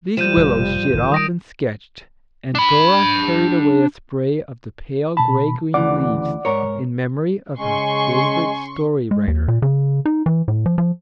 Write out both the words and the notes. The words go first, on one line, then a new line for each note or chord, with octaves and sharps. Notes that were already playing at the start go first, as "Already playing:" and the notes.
These willows she had often sketched, and Dora carried away a spray of the pale gray-green leaves, in memory of her favourite story-writer.
F3 G3 G6 D#7 E7
F1 B2
G#2
F#1 A2 D#3
G3 D#6 A#6 D7
D4 B5
B2 A5 B5
D2 C#3 E3 D5 F#5 D6
G#2 A#4 C#5
C#3 G#3 G#5 C6 C#6
G#3
D#2
A#2
C#3
D#4
E3
A2
F3
F3